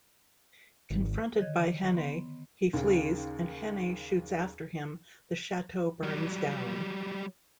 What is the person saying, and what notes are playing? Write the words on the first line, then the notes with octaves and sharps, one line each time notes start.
Confronted by Hannay, he flees, and Hannay shoots after him; the chateau burns down.
G#1
D3 D#3 C#5 D#5 G#6
B3 C6
D#2 C#3
F#3 G3